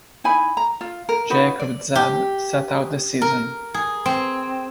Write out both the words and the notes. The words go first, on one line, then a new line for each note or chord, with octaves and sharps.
Jacob Zab sat out the season.
D#4 E4 G#5 B5
A#5
F4
A#4
D#4 F#4 B4
D5
G4
A#4
G#4
C4